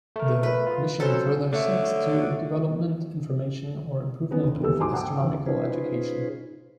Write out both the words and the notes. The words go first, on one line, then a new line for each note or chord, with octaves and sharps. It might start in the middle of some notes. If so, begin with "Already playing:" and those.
The Commission further seeks to development, information or improvement of astronomical education.
A3 A#4
B4
F4
F#3 C#4 A4 C5
D3 A3 C#5
D#3 B3 C#4 B4
D2
D#1 E3 G3 B3 A4 E6
G#2 F#3 G#5 C6 D6
F#5 G5 A5 D6
D#2 E3
C#4 D#4 F4 G#4 B4 C5